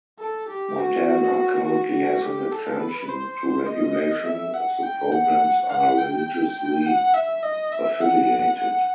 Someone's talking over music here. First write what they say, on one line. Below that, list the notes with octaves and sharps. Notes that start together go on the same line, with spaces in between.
Montana currently has an exemption to regulation if the programs are religiously affiliated.
A4
G4
F#4
F#4
F#4
G4
A4
B4
C5
D#5
E5
F#5
G5
F#5
F#5
G5
F#5
E5
D#5
E5
F#5
F#5